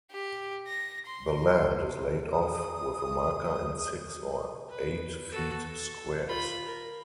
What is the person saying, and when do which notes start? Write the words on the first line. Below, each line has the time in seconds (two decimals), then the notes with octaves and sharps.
The land is laid off with a marker in six or eight feet squares.
0.11 G4
0.68 A#6
1.07 C6
2.32 G#4 D#6
4.69 B4
5.32 F#4 A4
5.64 A4
6.27 F4 B5
6.65 A#4